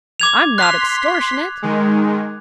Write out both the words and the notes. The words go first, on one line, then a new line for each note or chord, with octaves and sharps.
I'm not extortionate.
D6 G#6 F7
C6 F#6 B6 F7
D#3 G#3